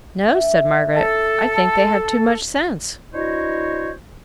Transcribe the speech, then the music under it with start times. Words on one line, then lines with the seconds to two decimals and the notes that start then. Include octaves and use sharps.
'No!' said Margaret; 'I think they have too much sense.'
0.27 D4 E5
0.95 A4
3.14 D4 E4 F#4 C5 C#5 D#5